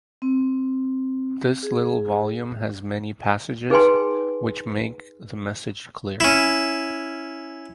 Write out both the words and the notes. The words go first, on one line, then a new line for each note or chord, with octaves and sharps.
This little volume has many passages which make the message clear.
C4
G#4
D#4 G#4 B4 G5 G#5 C6
C#4 E4